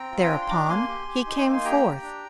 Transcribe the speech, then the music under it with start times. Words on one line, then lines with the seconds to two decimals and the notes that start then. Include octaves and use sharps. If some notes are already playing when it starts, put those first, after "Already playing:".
Thereupon he came forth.
Already playing: C4 G5 A#5
0.11 F4
0.23 G#5
0.30 D4 A#5
0.42 C6
0.49 D4 A#5 D6
0.69 A#3 G#5 C6
0.88 G4
1.08 G4
1.26 D#4
1.40 D6
1.45 A#3
1.53 C6
1.65 G4 G5 A#5
1.83 G4
2.02 D4